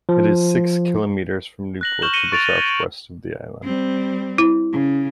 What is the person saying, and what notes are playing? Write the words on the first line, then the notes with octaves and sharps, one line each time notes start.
It is six kilometres from Newport in the southwest of the island.
F3
F#6 A#6 F#7
C#6 F6 G6 E7 F#7 G7
A#6 C#7 D#7 E7 G7
C#6 A6 D7 E7 F7
G#6
G3 C4
E4
C#3